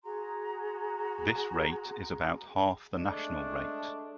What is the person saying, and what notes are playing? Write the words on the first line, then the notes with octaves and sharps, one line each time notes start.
This rate is about half the national rate.
F#4 G#4 A#5 C6
G#3 A3 D4